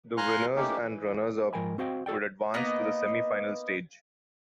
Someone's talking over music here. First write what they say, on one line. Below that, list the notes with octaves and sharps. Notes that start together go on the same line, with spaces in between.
The winners and runners up would advance to the semi-final stage.
F5 G#5 A#5 C6 F6 F#6
A3 A#3 C#4 D#4 G4
E3
G#2 F3 A#4 G5 G#5 B5
C4 F#4 C5 D#5 F5 G5
F#4 A4 D5 G5
A#3 B3 D#4 D#5